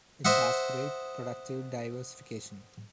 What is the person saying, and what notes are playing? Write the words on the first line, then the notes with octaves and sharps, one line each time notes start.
It has great productive diversification.
C5 D#5 E5 F#5